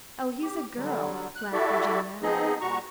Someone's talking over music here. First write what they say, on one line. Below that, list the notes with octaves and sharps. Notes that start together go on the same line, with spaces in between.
"Oh, he's a girl!" laughed Virginia.
G4
D3 F#3 G3
F#6
E4 F#4 G4 A4 D5 E5
F3 B3 C4 D#4 G#4 D#5
A#2 G3 F#4 A#5 C#6